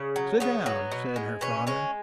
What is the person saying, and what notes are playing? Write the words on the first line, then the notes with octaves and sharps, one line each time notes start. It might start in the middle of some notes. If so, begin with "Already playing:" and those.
"Sit down!" said her father.
Already playing: C#3
F#3
C#3 B3
F#3
B2
G#3
B2 C#4
G#3 C#4